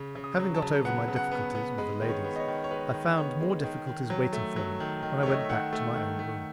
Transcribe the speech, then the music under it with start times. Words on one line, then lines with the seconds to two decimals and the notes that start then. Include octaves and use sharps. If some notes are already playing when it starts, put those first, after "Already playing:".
Having got over my difficulties with the ladies, I found more difficulties waiting for me when I went back to my own room.
Already playing: C#3
0.15 C#3
0.24 D#6
0.39 F#3
0.54 A5
0.62 C#3
0.85 B3 F#5
1.08 C#3
1.16 F#5
1.31 B3
1.55 B3
1.78 G#3 B4
2.02 D#3
2.09 C#5
2.24 B3
2.36 D#5
2.40 C#5
2.48 D#3
2.64 C#5
2.71 G#3 B4
2.94 D#3
3.17 B3 C#5
3.40 G#3
3.64 D#3
3.87 D#3
4.10 F#3
4.33 A3
4.56 F#3
4.80 D#3
5.03 D#3
5.23 A3 C#5
5.31 D#5
5.40 E5
5.49 D#3 F#5
5.73 A3
5.96 D#3
6.19 A3